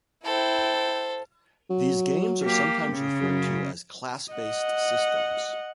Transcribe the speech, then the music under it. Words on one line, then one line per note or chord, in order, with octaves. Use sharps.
These games are sometimes referred to as 'class-based' systems.
E4 A4 C5 G5
F#3
A#3 G4
C#3
F#2
D#5 F#5